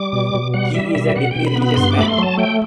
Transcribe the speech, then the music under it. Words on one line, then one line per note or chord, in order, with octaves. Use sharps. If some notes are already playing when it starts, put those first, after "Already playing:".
He is a deeply religious man.
Already playing: G3 D6
B2
B2
G3 F#5
G3 E5
B2 E5
B2 F#5
B2 G5
B5
B3
B5
G2 C6
D6
A3 B5
C6
F#3 A5
A3 G5